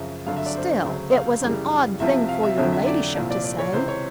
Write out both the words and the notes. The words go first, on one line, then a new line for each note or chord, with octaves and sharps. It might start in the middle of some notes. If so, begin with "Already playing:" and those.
"Still, it was an odd thing for your ladyship to say."
Already playing: F#2 C#3 F3 E5
G2 D3 F#3 F5
E5
D5
C5
D2 C#3 F#3
F5
F#2 C#3 E3 G3
C2 C3 F3 E5
F5
E5
F2 D3 F#3 E5
E5
D5
C2 A#2 F3
D5
D5
C#5
C#2 C3 E3 C5
C#5